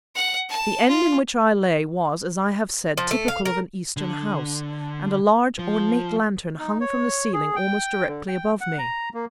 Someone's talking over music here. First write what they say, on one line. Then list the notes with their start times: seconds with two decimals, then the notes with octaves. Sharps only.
The end in which I lay, was, as I have said, typical of an Eastern house, and a large, ornate lantern hung from the ceiling almost directly above me.
0.15 F#5
0.49 A5
0.89 F4
2.98 F3
3.11 A3
3.28 F5
3.45 A#4
3.97 D3
5.59 F3
6.59 D#4
6.80 C#5
7.33 G#4
7.56 G5
8.08 D3
8.28 G5
8.61 F#5
8.79 A#5
9.14 A#3